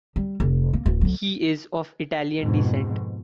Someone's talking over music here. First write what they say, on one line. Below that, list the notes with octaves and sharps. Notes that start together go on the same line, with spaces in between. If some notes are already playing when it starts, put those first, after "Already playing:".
He is of Italian descent.
G3
F1
A#3
D1
D2 F#3
F2 G#2 B2